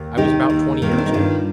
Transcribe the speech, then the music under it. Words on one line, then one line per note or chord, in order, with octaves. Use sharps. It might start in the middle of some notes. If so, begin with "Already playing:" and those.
I was about twenty years old.
Already playing: D#2
D#3 D#4 G4
D#2
D#3 A#3
C4
D4
D#4
G2 D4 F4